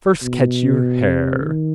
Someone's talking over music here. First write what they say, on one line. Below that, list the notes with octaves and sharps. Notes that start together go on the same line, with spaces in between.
First catch your hare.
B2
C3
D#3